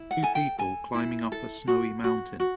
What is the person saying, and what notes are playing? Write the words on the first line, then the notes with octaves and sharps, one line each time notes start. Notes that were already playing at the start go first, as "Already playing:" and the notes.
Two people climbing up a snowy mountain.
Already playing: E4
F#5
A4 G#5
G5
A4 G#5
E4
A4
F#4
F#4
F#4